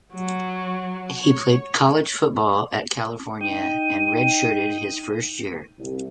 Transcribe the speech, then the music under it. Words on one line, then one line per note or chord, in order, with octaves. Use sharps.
He played college football at California and redshirted his first year.
F#3
C#5
D#4 G5 D#7
C2